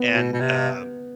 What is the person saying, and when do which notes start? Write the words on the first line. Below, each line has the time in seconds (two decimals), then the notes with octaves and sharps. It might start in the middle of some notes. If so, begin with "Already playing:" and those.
and uh,
Already playing: B3
0.13 B2
0.33 B2
0.41 C3